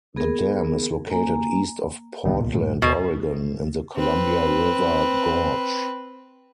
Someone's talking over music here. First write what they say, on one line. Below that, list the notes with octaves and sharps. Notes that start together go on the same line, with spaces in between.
The dam is located east of Portland, Oregon, in the Columbia River Gorge.
B3 G#4 A#4
A#3 G#5 A#5
D1 C2 D#3 G3 B3 D#4
A#2
G2 D#3 A3
D#2 B2
C4 B4